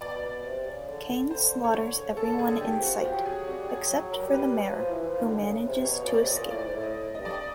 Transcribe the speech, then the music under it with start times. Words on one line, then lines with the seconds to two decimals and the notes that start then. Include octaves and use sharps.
Cain slaughters everyone in sight, except for the mayor who manages to escape.
0.01 B2 D5
0.23 B2
0.44 C3
0.66 C#3
0.87 D3
1.09 D3
1.31 D3 C5
1.63 D3 C#5
1.95 C#3
2.07 C3
2.12 C#3
2.17 A4
2.28 D3
2.39 G#4
2.44 D3
2.60 D#3 G4
2.77 F3
2.82 F#4
2.93 F3
3.04 F#3 G4
3.25 F#3 G#4
3.47 G3 F#4
3.69 F#3 G#4
3.90 F#3
4.12 A#4
4.23 G3
4.33 B4
4.55 F#3
4.72 F3
4.87 E3
5.04 F3
5.20 D#3
5.28 D3
5.34 D#3
5.42 C#3
5.63 C3
5.84 B2 C#5
6.02 C#3
6.07 D5
6.17 C3
6.27 B2 D#5
6.34 A#2
6.50 A2 D5
6.65 G#2
6.72 A2
6.83 D#5
6.93 A2
7.15 G2 D#5
7.25 D5
7.34 D#5